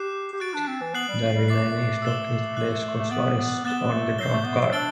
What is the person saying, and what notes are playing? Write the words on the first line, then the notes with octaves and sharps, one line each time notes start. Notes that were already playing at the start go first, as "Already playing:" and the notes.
The remaining stock is placed crosswise on the trump card.
Already playing: G4 F#6 C7 E7
G4
F#4 F#6 A6 D7
D4
C4
E3
B3 F#6 C7 F#7
G3
G3
A3 D6 A6 C7
E6 A6 E7 G7
F#6 C7 F#7
A3
B3 A6 D7 F#7
B3
B3 F#6 A6 E7 G7
A3
F#3 G6 C7 G7
A3
B3
F#3
D4 E6 A6 D7 G7